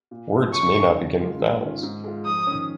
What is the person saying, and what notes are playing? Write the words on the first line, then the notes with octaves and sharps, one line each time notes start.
Words may not begin with vowels.
A#2
F3 A#3 F4
C#3 C#6
G#3 D#4
C#3
G#3 F4
G#2
D#3 C#4 F4
G#2
G#3 F4
F2 D#6
D#3 C#4